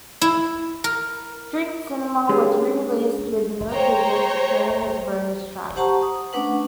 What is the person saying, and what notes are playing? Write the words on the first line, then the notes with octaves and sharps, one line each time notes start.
"Street Cinema" was re-released with "No Pigeons" appearing as a bonus track.
E4
A#4
G#3 C#4 D4 G4 G#4
C5 C#5 G5 A#5
G4 C5 F#5 A5 A#5 C#6
D#6
A3 C#4 D4 B4 F#5